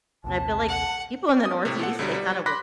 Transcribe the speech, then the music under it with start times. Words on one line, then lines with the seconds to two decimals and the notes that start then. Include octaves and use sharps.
and I feel like people in the Northeast, they kind of will
0.24 A#1 D#2 C3 A5
0.68 F#5
1.45 D#6
1.65 A2 C3
1.79 A#2 A4 F#5
1.99 B1 D3 F#3 G3
2.14 G3
2.46 B5 C6 D6 F#6 A#6 B6